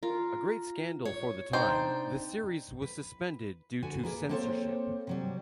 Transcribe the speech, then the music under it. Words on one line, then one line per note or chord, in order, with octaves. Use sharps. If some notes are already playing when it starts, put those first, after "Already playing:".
A great scandal for the time, the series was suspended due to censorship.
F4 A#4
C#5
C3 D4 D#4 C5 G5
B4
D3 B3 F#4 G#5
A#3 G#4 B4
A#3 C4 A4 A#4 C5 C#5
C3 F#3 G3